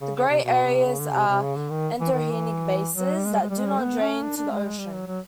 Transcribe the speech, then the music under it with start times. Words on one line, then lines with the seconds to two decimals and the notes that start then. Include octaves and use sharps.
The grey areas are endorheic basins that do not drain to the ocean.
0.01 C#3
0.16 C#3
0.29 C3
0.43 B2
0.65 C3
0.85 C#3
1.00 D3
1.13 C3
1.28 C3
1.42 C#3
1.56 D3
1.70 D#3
2.00 E3
2.12 D#3
2.32 E3
2.96 F#3
3.17 G3
3.26 G#3
3.33 G3
3.41 G#3
3.50 G3
3.58 G#3
3.66 G3
3.81 B3
4.01 C#4
4.22 D4
4.36 D4
4.51 G#3
4.65 G#3
4.78 G3
4.93 F#3
5.07 F#3